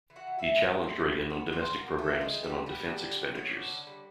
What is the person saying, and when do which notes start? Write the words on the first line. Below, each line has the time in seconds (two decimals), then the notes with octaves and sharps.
He challenged Reagan on domestic programs and on defense expenditures.
0.10 E3
0.16 F#4 F#5
0.27 E3
0.39 E4 E5
0.44 G3
0.61 B3 C4 C5
0.79 E3
0.96 E3
1.13 G3
1.30 A#3 B3 B4
1.47 D#3
1.52 C4 C5
1.64 D#3
1.76 A#3 A#4
1.81 F#3
1.98 A3 A#3 A4
2.15 D#3
2.21 G#3 G#4
2.33 D#3
2.44 G3 G4
2.49 F#3
2.66 G3 B3 G4
2.84 D4
3.01 D3
3.18 G3
3.35 B3 C#4 C#5
3.52 D4
3.69 D3
3.87 G3